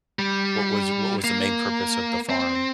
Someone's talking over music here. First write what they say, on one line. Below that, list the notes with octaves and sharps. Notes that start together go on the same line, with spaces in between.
what was what was the main purpose of the farm?
G3
A#3
C4